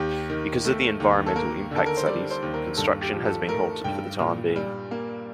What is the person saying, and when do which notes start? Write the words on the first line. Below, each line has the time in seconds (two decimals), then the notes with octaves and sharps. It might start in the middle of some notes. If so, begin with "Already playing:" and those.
Because of the environmental impact studies, construction has been halted for the time being.
Already playing: D#2 G4
0.30 D#3
0.65 A3
1.00 D#2
1.26 A4
1.36 A#3 A#4
1.71 D3 A4
1.86 A#4
1.97 C5
2.06 G3 D5
2.30 C5
2.42 D#2
2.54 A#4
2.77 G2 A4
3.01 G4
3.13 F3
3.25 A4
3.48 A3 A#4
3.84 G2 G5
4.20 A#2
4.56 G3
4.91 A#3